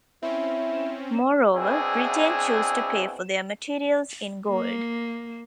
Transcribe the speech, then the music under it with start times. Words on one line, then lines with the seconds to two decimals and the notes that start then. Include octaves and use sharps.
Moreover, Britain chose to pay for their materials in gold.
0.23 C4 C#4 E4
1.55 E2 B2 C4 D4 E4 G#4
4.49 A#3